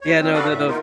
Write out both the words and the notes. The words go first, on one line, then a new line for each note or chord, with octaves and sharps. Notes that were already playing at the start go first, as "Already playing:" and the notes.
Yeah, no, the the f
D#2 C#5
A#2 F3 C4
F#4 A4 B4 D5 F5
A2 E5
D#3 A#3 B3 D#4 F4 A#4